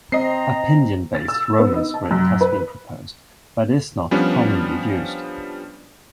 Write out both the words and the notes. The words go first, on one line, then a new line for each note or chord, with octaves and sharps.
A pinyin-based Roman script has been proposed, but is not commonly used.
C4 D#5 A#5 C7
A6
E6
B3
D#4
A5
F#2
B4
F3 G3 B3 C#4 D4